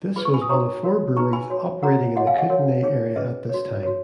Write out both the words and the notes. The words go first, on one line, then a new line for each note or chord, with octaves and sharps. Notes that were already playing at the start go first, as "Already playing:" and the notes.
This was one of four breweries operating in the Kootenay area at this time.
F4 G#4 B4 B5
C#6
G#5 B5
D#6
D#4 F#4 C#5 A#5 C#6
F#4 A#4 C#5
D#4 G#4 B4 A#5 C#6
G#5 B5
F#4 C#5
F#4 A#4 C#5 F#5 A#5
F#4 C#5 D#5 F#5
F5 G#5
D#5 F#5
F#4 A#4 C#5
D#4 G#4 C#5
C#4 G#4 B4 D#5
F#4 C#5
F#4 C#5